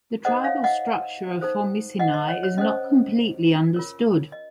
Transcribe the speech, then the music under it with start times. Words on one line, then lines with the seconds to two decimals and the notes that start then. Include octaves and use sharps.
The tribal structure of Formicinae is not completely understood.
0.25 D#4 A4 C5 D#5 F#5
0.44 C#5 F5
0.64 D#5 F#5
1.41 D#4 A4 C5
1.99 D#5 F#5
2.14 D#5
2.28 C#5
2.43 C#5
2.57 C#4 A4 C5 D#5
3.74 F4 A#4 C#5
4.32 D#5